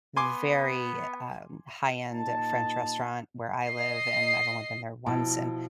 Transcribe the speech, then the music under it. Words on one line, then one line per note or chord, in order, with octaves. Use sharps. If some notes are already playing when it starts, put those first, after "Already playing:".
very, um, high-end French restaurant where I live and I've only been there once and
B3 G#5 C6 D6
A#2 D#4 A5
D#5 C7
B2 F3 E4 A5